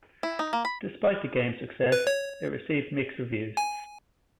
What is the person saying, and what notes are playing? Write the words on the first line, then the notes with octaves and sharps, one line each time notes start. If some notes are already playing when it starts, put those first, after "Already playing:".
Despite the game's success, it received mixed reviews.
E4
D#4
A#3
B5
B4
C#5
G#5